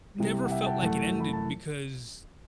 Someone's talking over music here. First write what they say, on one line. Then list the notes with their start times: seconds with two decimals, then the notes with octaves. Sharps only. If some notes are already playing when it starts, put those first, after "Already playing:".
never felt like it ended, because
0.19 C2 C3 G3
0.44 F#5
0.50 E5 G5
0.61 G5
0.66 F#5 A5
0.82 F#2 E3 A3 F#5 A5
1.20 B5
1.33 A5